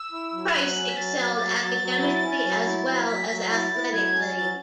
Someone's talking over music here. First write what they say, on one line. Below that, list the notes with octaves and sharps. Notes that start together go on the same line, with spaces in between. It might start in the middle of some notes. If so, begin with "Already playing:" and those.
Price excelled academically as well as athletically.
Already playing: E6
E4
F#3
F#3 F#6
C#4
B6
F#3 A6
F#3
F#3 A6
F#3
F#3
E4
C#4
F#3
E4
F#3
F#3 B6
F#3
E4 A6
E4
F#3 G#6
C#4
A6
F#3 A6